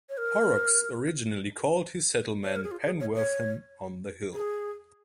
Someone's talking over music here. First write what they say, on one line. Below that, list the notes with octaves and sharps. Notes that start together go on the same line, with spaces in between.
Horrocks originally called his settlement "Penwortham-on-the-Hill".
C#5
A#4
C#5
A#4
G#4
F4
G#4
C#5
C#5
G#4